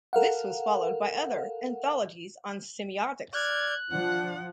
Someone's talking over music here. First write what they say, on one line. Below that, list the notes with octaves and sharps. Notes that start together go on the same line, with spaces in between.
This was followed by other anthologies on semiotics.
A4 A#4 F5 F#5
D5 F6 F#6 G#6
F3 D4 F#5